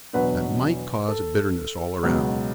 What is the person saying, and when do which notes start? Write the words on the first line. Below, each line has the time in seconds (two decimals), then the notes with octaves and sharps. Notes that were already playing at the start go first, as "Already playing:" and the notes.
That might cause a bitterness all around.
0.13 E2 B2 F#3 B3 D4 B4
1.08 A4
2.03 C#2 B2 F#3